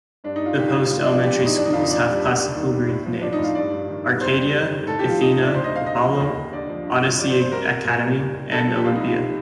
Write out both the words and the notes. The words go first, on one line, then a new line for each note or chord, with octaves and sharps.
The post-elementary schools have Classical Greek names: Arcadia, Athena, Apollo, Odyssey Academy, and Olympia.
G2 D4
G2 D#4
F4
D#3 G4
F4
G3
D#4
A2 F4
D4
F3 F4
F3 G4
F4
A2 D#4
F2 D4
D#4
F2 F4
D#4
D#3 D4
G3
D#2
D#2
D#3
G3
A2
F3
F3 D4
D#4
A2
F4
G2 D5
G2
D#3
G3
F2 C5
G3
C3
D#3
A2 A4
F3 G4
F4
F3 D#4
A2 D#4
D5
D2 C5
D#5
D2
F5
C3 D#5
F3
D#2
D#2
D3 D5
F3
G2
F3
F3 D5
C5
G2
C5
C2 A#4
C2
A#2 A#4
G3
D#2
D#2
D3 A4
F3
G4
C2 F4
C2 D#4
F4
C3